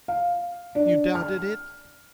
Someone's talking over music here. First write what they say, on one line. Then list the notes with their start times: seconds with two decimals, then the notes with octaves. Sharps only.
"You doubted it?"
0.08 F5
0.75 D4
1.15 F6